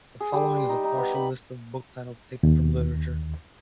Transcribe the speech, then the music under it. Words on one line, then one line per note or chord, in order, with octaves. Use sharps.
The following is a partial list of book titles taken from literature.
G#4
G3
C6
D#4
D#4
B3
B5
D#2